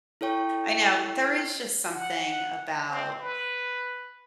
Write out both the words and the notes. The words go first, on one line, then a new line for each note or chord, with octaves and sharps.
I know, there is just something about
E4 A4 C#5 G5 C#6
F#5
C4
B4